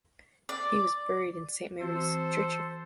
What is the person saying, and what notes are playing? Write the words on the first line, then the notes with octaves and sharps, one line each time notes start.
He was buried in Saint Mary's churchyard.
D5
E3 C4 F#4 A4 C5